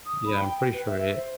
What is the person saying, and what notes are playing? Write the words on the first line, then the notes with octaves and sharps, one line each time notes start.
Yeah, I'm pretty sure it
D#6
B5
G5
G5
B4
E5
E5
C5